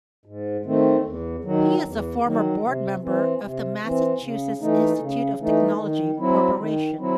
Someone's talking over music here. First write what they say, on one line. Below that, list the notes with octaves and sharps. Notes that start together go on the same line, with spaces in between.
He is a former board member of the Massachusetts Institute of Technology Corporation.
G#2
D#3 A3 C4
E2
D#3 F#3
E2
D#3 F#3
C3
E3 C4
C3
E3 C4
C#3
E3 A3 D#4
C#3
E3 A3 D#4
D#3
F#3 C4 E4
D#3
F#3 C4 E4